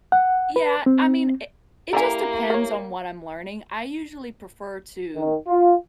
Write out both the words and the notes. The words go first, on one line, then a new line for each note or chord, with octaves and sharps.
Yeah, I mean, i it just depends on what I'm learning. I usually prefer to
F#5
B4
C4
A#3 E4 G4 A4 D5 G#5 A#5
A#4 C#5
D#3
F4